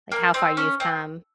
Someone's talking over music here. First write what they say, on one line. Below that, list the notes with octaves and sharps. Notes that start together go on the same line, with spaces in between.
like, how far you've come
A#3
C4
C#4
C4